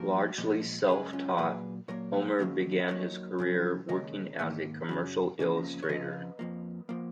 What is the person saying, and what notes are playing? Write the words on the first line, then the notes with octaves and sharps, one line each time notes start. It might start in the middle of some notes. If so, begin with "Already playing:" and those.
Largely self-taught, Homer began his career working as a commercial illustrator.
Already playing: G#2 F3 A#3 F#4 A#4
A#2 F3 G#3
F#2 C#3 G#3 G#4 B4
C#4 F4
A#2 F#3 A#3 G#4 B4
A#2 F#3 A#3 A#4 C#5
D#2 C#3 F#3 A#3
D#2 D#3 F#3 A#4 C#5
F#2 C#3 F#3
D#2 C#3 G#3 A#4 C#5
G#2 D#3 A#3
F#2 C#3 F#3
F2 C#3 F3 A#3
C#5
F2 C#3 F3 B4 D#5
F2 F3 A#3
F3 A#3